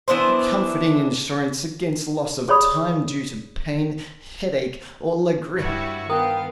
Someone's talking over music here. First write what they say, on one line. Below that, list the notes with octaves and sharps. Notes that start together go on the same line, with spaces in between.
A comforting insurance against loss of time due to pain, headache or la grippe.
E3 B3 D4 C5
G4 G#4 C#5 D5 B5 D#6
G2 G3 E4 F#4 C#5
D#3 B3 A#4 F5 G5 D#6